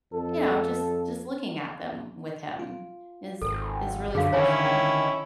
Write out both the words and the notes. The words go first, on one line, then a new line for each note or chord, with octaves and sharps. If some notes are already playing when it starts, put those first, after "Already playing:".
you know, just just looking at them with him is is really special.
F2 A4
F4
G#1 A4
F#2 D3 G#4 F5
D#3 C#4 E4 C#5 G#5